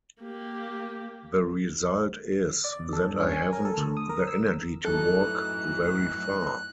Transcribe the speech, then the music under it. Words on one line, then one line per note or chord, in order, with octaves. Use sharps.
The result is that I haven't the energy to walk very far.
A#3 G4
D5
E2
A4
G2
C#4
G#5
A#4
A4
D2
D#6
A#4
E6
F#2 A2 E3 F#3 D#4 A4 F#6